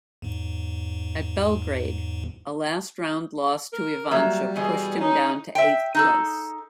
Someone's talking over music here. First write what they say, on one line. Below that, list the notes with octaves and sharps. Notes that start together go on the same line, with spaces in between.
At Belgrade, a last round loss to Ivanchuk pushed him down to eighth place.
E2 G#2
A#4
F#3 G3 A#3 E5
B2 E3 G#4 D#5
C#4 D#4
E5 G5
D#4 G#4 A4